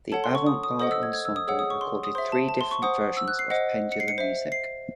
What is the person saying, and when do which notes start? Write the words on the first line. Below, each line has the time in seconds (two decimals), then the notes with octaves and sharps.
The Avant-Garde Ensemble recorded three different versions of "Pendulum Music".
0.12 A4 C#5 F#5 A5
0.24 C6
0.35 C#6
0.47 D#6
0.64 D#6
0.80 A4 C5 D#5 F#5 D#6
0.91 E6
1.03 G#6
1.13 G#6
1.25 E6
1.36 D#6
1.47 G#4 C#5 F#5 E6
1.59 D#6
1.70 C#6
1.81 C6
2.04 D#6
2.15 C5 E5 C6
2.32 A5
2.49 A5
2.61 C6
2.71 C#6
2.82 C5 F#5 D#6
3.17 E6
3.28 F#6
3.39 C7
3.50 C5 D#5 F#5
3.92 C#7
4.00 C7
4.08 C#7
4.18 C5 E5
4.52 C7